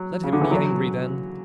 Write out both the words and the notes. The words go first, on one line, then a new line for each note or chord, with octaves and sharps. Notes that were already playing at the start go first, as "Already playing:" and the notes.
Let him be angry then.
Already playing: F#3
C#3
D3
E3
F#3